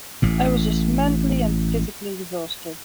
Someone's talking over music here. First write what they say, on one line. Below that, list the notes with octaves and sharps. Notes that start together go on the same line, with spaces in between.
I was just mentally and physically exhausted.
A1 A2